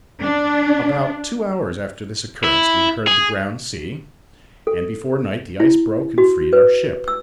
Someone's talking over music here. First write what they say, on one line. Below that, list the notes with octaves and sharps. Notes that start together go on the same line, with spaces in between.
About two hours after this occurrence we heard the ground sea, and before night the ice broke and freed our ship.
D4
E4
G#4
A4
E4
F#4
B4
E6